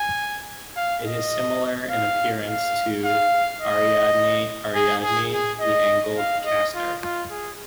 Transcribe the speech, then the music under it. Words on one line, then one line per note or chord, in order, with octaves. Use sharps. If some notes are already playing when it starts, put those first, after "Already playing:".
It is similar in appearance to "Ariadne ariadne", the angled castor.
Already playing: G#5
F5
D#5
F5
F5
F5
D#5
G#4
G#4
G#4
D#5
F5
D#5
F4
F4
G#4